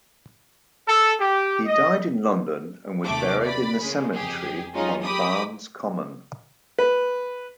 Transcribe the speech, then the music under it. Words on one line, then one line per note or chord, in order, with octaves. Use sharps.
He died in London, and was buried in the cemetery on Barnes Common.
A4
G4
D#5
D#2 C3 A3 D6
D5 B5
C#3 G#3
F2 G4 G#4
F#3 G#3 C#4 D#4 F4 D#5
G4 A#4 B5 D6 D#6
B4